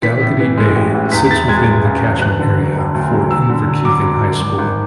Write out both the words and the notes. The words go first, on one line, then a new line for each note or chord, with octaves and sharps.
Dalgety Bay sits within the catchment area for Inverkeithing High School.
E3 B6
A2
E3
G#3
A1
A1
E2 B6
E2 A6
G#3 G#6
G#3
C#3
E1
E1 F#6
D3
F#3
E1
D2
F#3
F#3 E6
D3
F#3
F#3 D6
F#3
F#3
G#1
G#1